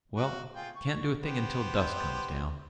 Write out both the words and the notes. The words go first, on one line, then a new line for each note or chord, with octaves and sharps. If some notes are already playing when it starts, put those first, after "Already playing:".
Well, can't do a thing until dusk comes down.
F#4 F5
F4 G#4 G5
C#6
B3 G4 C5